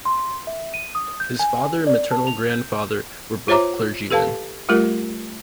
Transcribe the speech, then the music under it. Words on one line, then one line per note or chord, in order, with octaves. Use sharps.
His father and maternal grandfather were both clergymen.
C6
E5
D#7
D#6
G6
G#5
D5
A5
F7
G6
F4 C5 C#5 E5 A#5 D6
G4 A4 B4 F5 A5
G3 A3 F4 G4 A#4